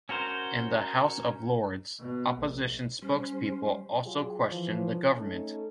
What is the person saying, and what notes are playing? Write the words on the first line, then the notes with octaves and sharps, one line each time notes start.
In the House of Lords, opposition spokespeople also question the government.
C#4 F#4 A#4 C5
B2
A#1
G3 C#4 C5
F#3 F4 G4 G#4
E3 F3
A3 C#4 D#4 A4